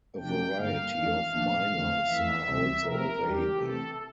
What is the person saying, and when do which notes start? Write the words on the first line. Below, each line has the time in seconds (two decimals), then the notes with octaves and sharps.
A variety of minors are also available.
0.18 C3 F3 A3 D4 G5
0.55 G2 D3 G3 A#3 F5
0.93 F2 E3 A3 D4
1.31 A#2 F3 A3 D4
1.68 F2 D3 F3 A3
2.06 F2 E3 A3 E5
2.43 D2 C3 E3 G3 C4
2.82 C3 F3 A3 C4 A#4
3.19 E2 E3 G3 D4 G4
3.56 C3 E3 A3 C4 A4